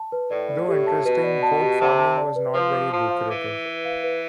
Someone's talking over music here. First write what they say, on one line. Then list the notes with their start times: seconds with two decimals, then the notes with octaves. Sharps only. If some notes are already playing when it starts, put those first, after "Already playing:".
Though interesting, goat farming was not very lucrative.
Already playing: A5
0.12 B4
0.31 A2 D5
0.49 D5
0.68 A2 G4
0.87 A5
1.05 B2 B4
1.24 D5
1.42 A5
1.61 G4
1.80 C3 A5
1.99 A5
2.17 D5
2.36 B4
2.54 F3 B4
2.73 D6
2.92 F3 A5
3.11 F5
3.29 E3 D6
3.48 B4
3.66 B4
3.85 F5
4.04 B4